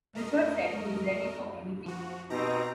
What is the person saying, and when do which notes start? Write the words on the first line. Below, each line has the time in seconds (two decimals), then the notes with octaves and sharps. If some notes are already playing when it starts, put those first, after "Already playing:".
Richard said he was ready for anything.
0.15 A3 A#4 D#5
1.86 F3 F#4
2.30 B2 C4 D#4 G4 A#5 A#6